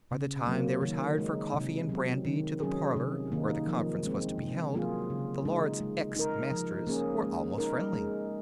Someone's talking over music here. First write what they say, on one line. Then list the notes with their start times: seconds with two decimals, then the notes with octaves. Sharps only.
By the time they retired for coffee and brandy to the parlor where the conference was to be held, the Lords-ex-Masters were almost friendly.
0.11 C#3
0.47 F#3 A#3
0.82 D#3
1.18 G#3 D#4
1.54 C3
1.89 F#3 C4
2.25 D#3
2.60 F#3 C#4 G#4
2.96 C3
3.32 D#3 A#3 D#4
3.67 F3
4.03 G#3 C4
4.38 C3
4.75 F#3 A#3 F4 G#4
5.10 C#3
5.45 G#3 D#4
5.80 G#3
6.16 D#4 A#4
6.52 F3
6.87 A#3 C#4 G#4
7.23 G#3
7.58 D#4 A#4
7.93 G#3